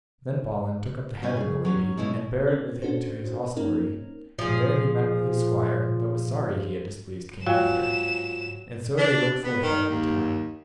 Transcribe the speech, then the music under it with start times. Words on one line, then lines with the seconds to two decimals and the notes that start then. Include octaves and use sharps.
Then Balin took up the head of the lady, and bare it with him to his hostelry, and there he met with his squire, that was sorry he had displeased King Arthur and so they rode forth out of the town.
1.22 C3 G3 C#4 B4 G#5
1.37 C#3 G#4
1.65 F#3 C#4
1.97 B2 G#3 C#4 E4
2.47 C4 C#4
2.82 C#4 D4 F#4 A4 C5
3.56 A#3 C4 C#4 D#4 A#4
4.39 A#2 F3 G#4
7.46 G#2 F#3 F4 F5 G5 G#5 E7
8.98 D4
9.43 B3
9.62 D#3
9.89 D#2